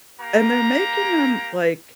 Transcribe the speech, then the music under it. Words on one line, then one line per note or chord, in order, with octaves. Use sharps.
And they're making them, like
A#3 G4 A#5